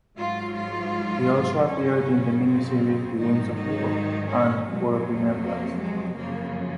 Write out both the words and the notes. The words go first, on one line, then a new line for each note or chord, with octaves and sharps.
He also appeared in the miniseries "The Winds of War" and "War and Remembrance".
G#2 F#3 F4
F4
F#2 C#3 F#3 C#4
C4
G#2 D#3 F#3 D#4
D#4
C#4
F2 C3 F#3 G#3
A#3
G#3
F#2 C#3 F3 A#3